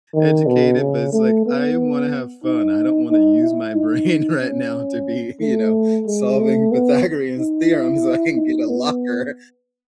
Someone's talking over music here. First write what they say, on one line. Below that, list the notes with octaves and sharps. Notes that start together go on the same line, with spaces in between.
educated," but it's like, "I wanna have fun. I don't wanna use my brain right now to be, you know, solving Pythagorean's Theorem so I can get a locker
D#3
B2
C#3
A3
B3
D#4
D#4
E4
D#4
C#4
A3
G#3
A3
B3
D#4
E4
D#4
B3